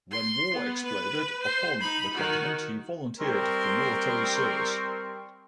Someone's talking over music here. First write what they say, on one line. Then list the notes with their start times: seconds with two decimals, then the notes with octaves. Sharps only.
When war exploded upon the continent, he volunteered for military service.
0.11 C6
0.54 B3
0.85 B4
1.42 C5
1.80 D#4 B5
2.13 D#3 F#4
3.20 G3 C4 A#4 G5 C6 C#6